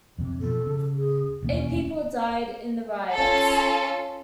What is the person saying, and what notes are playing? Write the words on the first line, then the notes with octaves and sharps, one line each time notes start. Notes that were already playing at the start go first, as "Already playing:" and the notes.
Eight people died in the riots.
F2 C3
B2 D#3 F3 A4
C#3
G#4
E1 D#2 A3 C#4
C#4 F4 A4